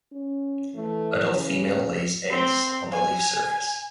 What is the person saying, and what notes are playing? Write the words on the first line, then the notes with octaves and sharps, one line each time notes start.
Adult female lays eggs on the leaf surface.
C#4
E3 A3
C#3
C4
G#5